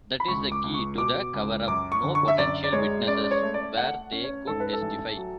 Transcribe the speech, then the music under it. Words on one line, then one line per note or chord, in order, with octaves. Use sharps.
That is the key to the cover-up: no potential witnesses where they could testify.
B5
C#2 C#6
D6
C#2
C#6
B2 D6
C#2
F#2 D6
C#6
D3
C#6
E5
F#2 D5
D5
G#3 C#5
C#4 D5
D5
C#5
A3
D5
A3 F#5
C#4
C#5
G#2 A4
B4
A4
A1
F#3